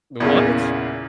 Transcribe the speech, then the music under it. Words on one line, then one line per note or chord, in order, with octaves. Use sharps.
"the what?"
E2 A#2 C#3